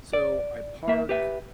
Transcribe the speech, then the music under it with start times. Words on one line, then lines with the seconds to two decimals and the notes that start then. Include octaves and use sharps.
So I park
0.13 D5
0.88 A#3 E5
1.09 G4 B4 E5